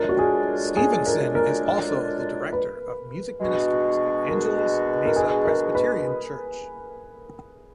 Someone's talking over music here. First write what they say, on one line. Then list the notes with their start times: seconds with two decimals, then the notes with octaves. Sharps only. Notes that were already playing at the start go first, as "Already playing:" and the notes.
Stevenson is also the director of music ministries at Angeles Mesa Presbyterian Church.
Already playing: F#2 D3 G#3 D4 F4 A#4
0.09 F#4
0.19 G#4
0.77 G#4
1.06 A#4
1.35 A#4
2.53 B4
3.40 B2 G#3 D4 F#4
4.29 A#4
5.06 A#4
5.16 G#4
5.45 A#4
5.75 B4